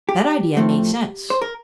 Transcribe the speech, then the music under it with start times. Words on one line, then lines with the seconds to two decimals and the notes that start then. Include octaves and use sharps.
That idea made sense.
0.09 G4
0.57 A2 F3 A3 C4
1.30 C5
1.42 A#4